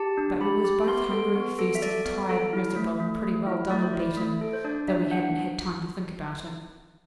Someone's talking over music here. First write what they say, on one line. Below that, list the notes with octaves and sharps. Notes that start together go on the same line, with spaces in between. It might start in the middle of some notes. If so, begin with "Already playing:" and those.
But we was both hungry, thirsty, tired, miserable, and pretty well done and beaten, though we hadn't had time to think about it.
Already playing: G4 A5
D4
G4 B5
G4
B3 C6
A4
B3
A4
E5
A4 D5
B3
A4
E4
A3
A3
A3
E4
A3 D5
C5
E4 D5
A3
A4
C5
D4 D5
D4 E5
D4 F#5